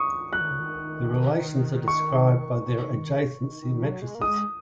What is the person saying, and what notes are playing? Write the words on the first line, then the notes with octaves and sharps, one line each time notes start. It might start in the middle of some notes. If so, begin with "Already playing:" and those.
The relations are described by their adjacency matrices.
Already playing: C#6 D#6
F#3 F#6
D#3
C#3
D#3
C#6
D#3
D#3
F#3
G#3
A#3
G#3 D#6